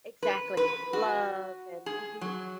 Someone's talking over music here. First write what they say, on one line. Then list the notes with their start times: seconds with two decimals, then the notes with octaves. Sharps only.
Exactly. Love and mhm.
0.23 B4
0.57 B4
0.93 F#4
1.86 G#4
2.21 F#3